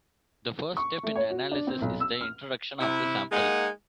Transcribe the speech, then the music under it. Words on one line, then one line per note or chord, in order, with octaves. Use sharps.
The first step in analysis is the introduction of the sample.
C#6
A3
C#5
F#4
D4
C4
B1
E6
F6
C3 E4
G#3 A#3 D#4 F#5 G#5